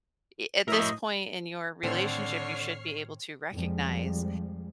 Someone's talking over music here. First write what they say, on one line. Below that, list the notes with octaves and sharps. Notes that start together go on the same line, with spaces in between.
Eh, at this point in your relationship, you should be able to recognize,
A2 A#4 C#5 D#5 E5
A2 D3 D#3 C4 A4 C#5 F6 C7
F2 F3 G3 G#3